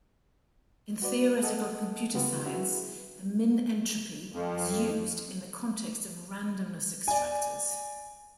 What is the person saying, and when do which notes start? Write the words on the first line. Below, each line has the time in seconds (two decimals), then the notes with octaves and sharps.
In theoretical computer science, the min-entropy is used in the context of randomness extractors.
1.02 F#4 B4 D5
1.42 G#4 A4 D#5 F#5 A5
2.14 C#3 G#3 B3 F4 G4
2.46 E4 F#4 G#4 B4
4.32 F2
7.08 D5 G#5